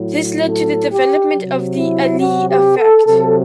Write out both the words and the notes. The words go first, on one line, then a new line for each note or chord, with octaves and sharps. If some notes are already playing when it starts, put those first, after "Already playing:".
This led to the development of The Allee effect.
Already playing: A2 F#3
A4
G4
C3 F#3
E4
F#4
G4
A4
C3 F#3 A4